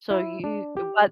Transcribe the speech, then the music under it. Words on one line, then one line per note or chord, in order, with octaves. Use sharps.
So you uh, what
E4
D4
G4